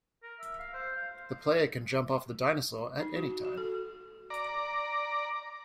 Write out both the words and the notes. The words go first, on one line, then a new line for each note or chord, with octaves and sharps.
The player can jump off of the dinosaur at any time.
A#4
E5
F5
C5
F5
D#4
F#4
F#4
A4
D5 A#5